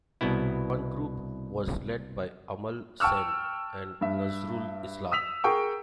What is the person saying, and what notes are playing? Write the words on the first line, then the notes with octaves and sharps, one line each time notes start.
One group was led by Amal Sen and Nazrul Islam.
C2 B2 B3 E4
G5 A5 C#6 E6 F6
G2 E5
D#6 E6 B6 F7
G#4 A#4 G5 C#6